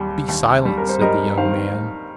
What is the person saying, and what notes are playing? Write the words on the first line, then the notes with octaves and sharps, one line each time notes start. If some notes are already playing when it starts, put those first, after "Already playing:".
"Be silent," said the young man.
Already playing: D#2 G3
D#2
G3
A#4
C5
G3 A#4 D#5
D#3 C5 F5